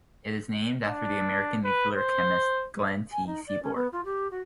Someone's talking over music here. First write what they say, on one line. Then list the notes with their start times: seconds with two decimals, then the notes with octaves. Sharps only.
It is named after the American nuclear chemist Glenn T. Seaborg.
0.87 D4
1.64 B4
1.95 C5
3.12 G#5
3.26 D#4
3.47 D5
3.63 C#4
3.75 B3
3.92 F4
4.04 G4
4.31 F#4